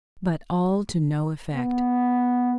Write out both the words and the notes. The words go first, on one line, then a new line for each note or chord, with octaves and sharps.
But all to no effect.
B3